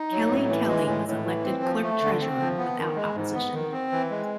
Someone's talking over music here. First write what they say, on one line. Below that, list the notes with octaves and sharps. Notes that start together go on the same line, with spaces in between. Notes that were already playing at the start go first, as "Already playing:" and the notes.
Kelly Kelly was elected clerk-treasurer without opposition.
Already playing: D#4
F#3
A2
E3
G#3
A2
A2
E3
C4
F3
A3
D3
C4
F3
B3
D#3
G#3
G#2
B3
D#3
C4
E3
G#3